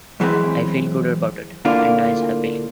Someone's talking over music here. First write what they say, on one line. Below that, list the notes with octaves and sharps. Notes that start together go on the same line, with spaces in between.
I feel good about it, and dies happily.
F#2 E3 G#3 C4 B5
D2 A2 D3 A#3 D4 F4